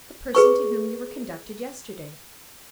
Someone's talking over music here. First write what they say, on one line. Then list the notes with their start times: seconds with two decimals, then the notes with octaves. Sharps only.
"The person to whom you were conducted yesterday."
0.35 G#4 B4 C#6